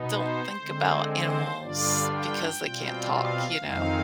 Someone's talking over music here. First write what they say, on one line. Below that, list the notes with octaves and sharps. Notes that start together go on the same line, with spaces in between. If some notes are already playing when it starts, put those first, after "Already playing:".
don't think about animals because they can't talk, you know.
Already playing: B2 B3 D#4
C5
D3 G#3 C4
C5
G2 D3 G3 D4 F4 D5
G5
B2 G3 C4 F4
F5
F2 D#3 G#3 C4 D#4 F5